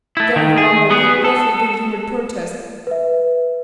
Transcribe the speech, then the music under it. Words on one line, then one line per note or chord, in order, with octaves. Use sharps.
There he rumbled a roughly good-humoured protest.
A3 E4
D#3
G#4
B3 G#4
A4
B4 E5